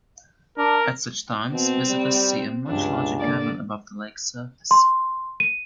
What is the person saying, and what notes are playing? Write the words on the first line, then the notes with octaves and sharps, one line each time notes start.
At such times visitors see a much larger cavern above the lake surface.
D4 A#4
B2 C4
G3
C#2 G2 D4
D3 A#3 D5
C6
D#7